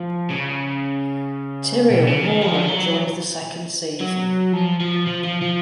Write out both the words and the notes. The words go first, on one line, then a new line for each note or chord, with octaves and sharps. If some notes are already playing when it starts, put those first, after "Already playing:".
Tiriel Mora joined the second season.
Already playing: F3
C#3
B2
C#3
D#3
F3
F#3
F#3
F3
F3
F3
F3
F3